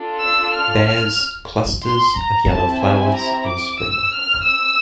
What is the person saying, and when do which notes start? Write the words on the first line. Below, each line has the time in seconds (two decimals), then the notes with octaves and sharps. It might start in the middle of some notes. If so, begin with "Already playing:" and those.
Bears clusters of yellow flowers in spring.
Already playing: D4 F4 A4
0.19 E6
0.53 F6
0.85 F6
1.84 C6
2.17 A#5
2.49 C4 E4 G4 A5
2.81 G#5
3.15 A#5
3.47 D6
3.79 E6
4.13 F6
4.45 E6